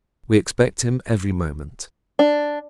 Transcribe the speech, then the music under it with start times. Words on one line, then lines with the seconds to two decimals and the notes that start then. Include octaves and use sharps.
"We expect him every moment."
2.19 D4